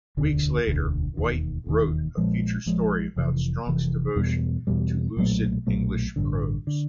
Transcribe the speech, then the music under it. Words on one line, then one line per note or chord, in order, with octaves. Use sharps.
Weeks later, White wrote a feature story about Strunk's devotion to lucid English prose.
E1 D2 D3
E1 D2 D3
E1 D#2 D#3
E1 D#2 D#3
A#1 A#2 F3 G#3
A#1 A#2 F3 G#3
F1 F2 C3 E3
F1 F2 C3 E3
E2 B2 G3
E2 B2 G3
B1 A#2 F#3 A3
B1 A#2 F#3 A3
A1 G2 D3
D3